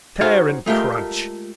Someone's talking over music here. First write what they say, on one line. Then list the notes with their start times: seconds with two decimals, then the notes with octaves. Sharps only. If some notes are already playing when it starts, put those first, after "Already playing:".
Tear and crunch!
0.21 D#4 F#4 G#4 C5 C#5 F5
0.66 G#3 A3 F4 G4 A#4